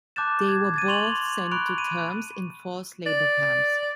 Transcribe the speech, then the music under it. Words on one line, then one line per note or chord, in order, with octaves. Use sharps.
They were both sent to terms in forced labor camps.
A5 D6 F#6 G6 A6 E7
G#6
G#6 A6 D#7
C6 C#6 F7 F#7
B5 C#6 F#6 D7 F7
D#7
D5